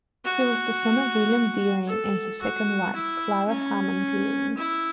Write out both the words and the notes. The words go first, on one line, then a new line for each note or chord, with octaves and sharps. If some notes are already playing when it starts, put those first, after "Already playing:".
He was the son of William Deering and his second wife, Clara Hammond Deering.
F#4
A4
F#4
E4
C#4
E4